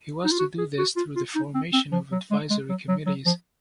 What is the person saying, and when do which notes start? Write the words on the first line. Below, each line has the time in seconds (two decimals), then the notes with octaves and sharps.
He was to do this through the formation of advisory committees.
0.25 D#4
0.32 F4
0.39 F#4
0.58 G#4
0.78 F#4
0.97 F4
1.16 F4
1.35 D#4
1.55 C4
1.73 C4
1.92 F3
2.12 F#3
2.31 G#3
2.50 G#3
2.69 F#3
2.88 F#3
3.06 F#3
3.26 F3